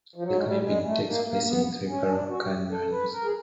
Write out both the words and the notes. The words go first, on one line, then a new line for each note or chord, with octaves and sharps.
The climbing takes place in three parallel canyons.
F3
F#3
G#3
G3
G#3
A3
A#3
A#3
A#3
B3
C#4
D4
F#4
G4
A4
B4
A#4
G#4